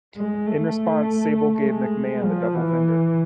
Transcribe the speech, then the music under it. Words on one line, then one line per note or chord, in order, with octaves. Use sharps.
In response, Sable gave McMahon the double finger.
G#3
A3
G#3
F3
E3